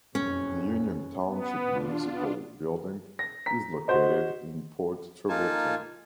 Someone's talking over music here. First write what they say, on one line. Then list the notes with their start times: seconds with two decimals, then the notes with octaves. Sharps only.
The Union Township Municipal Building is located in Port Trevorton.
0.15 F#1 F2 B2 C#4
1.26 B3
1.64 E2 B2 D4 F4
2.03 B3
3.19 A#6
3.46 A#5 B6
3.88 F#4 C5 D#5
5.29 A#3 D#4 F4 G#5 A5